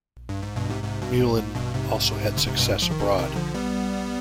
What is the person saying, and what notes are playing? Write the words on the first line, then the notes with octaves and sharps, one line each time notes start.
Meulen also had success abroad.
G2
G#2
G2 B2
G#2 C3
G#2 C3
G2 B2
G#2
G#2
G2 B2
G#2 C3
D3
G#2 C3
G2 B2
G#2
F3
D#3
B2 D3
C3 D#3
D3 F3
G3 B3